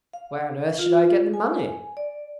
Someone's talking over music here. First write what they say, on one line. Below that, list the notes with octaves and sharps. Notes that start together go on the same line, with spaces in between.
"Where on earth should I get the money?"
F5
F4
G#5
D5